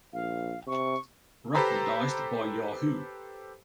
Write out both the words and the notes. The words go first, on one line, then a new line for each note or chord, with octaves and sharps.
Recognised by Yahoo!
A#1 F5
C3 C#6
G4 A4 B4 C5 A#5 B5